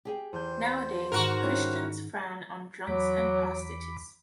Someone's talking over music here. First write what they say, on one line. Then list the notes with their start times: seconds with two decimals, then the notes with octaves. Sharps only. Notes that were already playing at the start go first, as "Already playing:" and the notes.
Nowadays Christians frown on drunks and prostitutes.
0.05 G4 G#4 G5
0.33 E2 C5 G6
1.12 G#2 D#3 F#4 A#4
1.43 G3 C#4 E4
2.87 E2 F#3 B5 D6